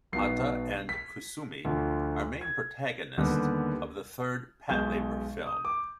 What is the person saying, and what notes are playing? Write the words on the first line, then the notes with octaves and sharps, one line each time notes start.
Hata and Kusumi are main protagonists of the third Patlabor film.
B1 B2 B3 D#4 C7
B6
D2 D3 F3
G#6
D#2 D3 G3 B3
B1 B2 G#3 G6
D#6
D6